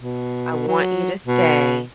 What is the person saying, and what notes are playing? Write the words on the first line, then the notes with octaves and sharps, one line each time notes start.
I want you to stay.
B2
F#3
B2